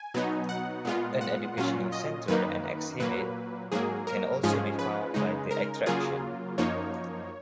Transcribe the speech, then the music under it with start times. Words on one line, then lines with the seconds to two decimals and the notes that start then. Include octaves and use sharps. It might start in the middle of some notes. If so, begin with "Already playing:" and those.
An educational centre and exhibit can also be found by the attraction.
Already playing: G#5
0.14 B2 F#3 B3 D#4
0.49 F#5
0.85 A#2 G#3 B3 F4
1.21 F#5
1.57 A#2 F#3 C#4 F4
1.92 D#5
2.28 F#2 D#3 A#3 D#4 B4
3.00 A#2 F#3 A#3 B4
3.72 G#2 F#3 A#3 G#4
4.07 A#4
4.43 G#2 F3 G#3 C#4 F4 G#4
4.79 B4
5.14 C#3 G#3 D#4
5.51 A#4
5.86 C#3 F#3 A#3 F4 G#4
6.58 F#2 F3 A#3 D#4 C#5